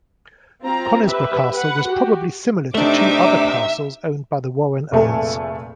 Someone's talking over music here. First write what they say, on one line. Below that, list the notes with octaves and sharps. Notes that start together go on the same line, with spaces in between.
Conisbrough Castle was probably similar to two other castles owned by the Warren earls.
C4 F4 A#5
G4 B4 E5
B4 F#5
F#4 G4
C3 A3 D4 D#4 E5 D6
F1 A#2 A3 G#4 A4